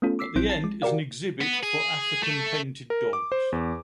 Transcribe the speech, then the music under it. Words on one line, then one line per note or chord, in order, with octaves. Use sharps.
At the end is an exhibit for African painted dogs.
A3 B3 C#4 F4 A4
D6 E6 B6 C7
A#1 F#3 C4 E4 G6 D7
A5 A6 C7
G#3
F#4 G4 A#4 D5 F5
B3
G#4
A3
A#4
D6
C5
E2